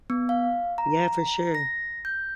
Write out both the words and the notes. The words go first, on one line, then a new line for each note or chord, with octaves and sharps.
Yeah, for sure.
B3
F5
A#5
A#6
G6